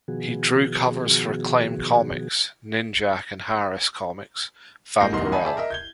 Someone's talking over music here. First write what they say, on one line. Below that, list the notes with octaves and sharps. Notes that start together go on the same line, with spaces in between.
He drew covers for Acclaim Comics' "Ninjak" and Harris Comics' "Vampirella".
B2 D#3 F3 B3 F#4 G#4
A1 G#3 A#3 G6 A#6 C7
F1 C2 D#3 B3 D#5 C6
D5 D#5 F#5 G#5 A5 B5
G#4 D5 E5 A5
A#4 D#5 E5
G6 G#6 G7